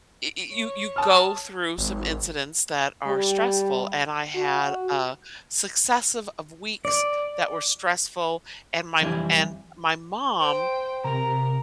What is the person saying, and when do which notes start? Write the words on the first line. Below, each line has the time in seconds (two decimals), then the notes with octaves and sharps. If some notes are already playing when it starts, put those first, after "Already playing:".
y y you you go through some incidents that are stressful, and I had a successive of weeks that were stressful, and my and my mom
0.53 C#5
0.96 A5 D#6 F6
1.78 G#1
3.07 G3
4.35 F#4
6.85 D5
9.01 F2 E3 G3 E4 D5 G#5
10.38 C5 G5
11.04 C3 A#4 A#5